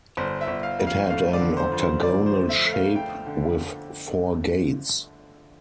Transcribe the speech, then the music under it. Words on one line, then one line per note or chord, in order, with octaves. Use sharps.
It had an octagonal shape with four gates.
G1 C5
E5
G1
F5
F2
F5
A3 F5
D5
D3
C5
F2
C5
F2 D5
C5
A3
E5
A3
F5
A3 G5
D3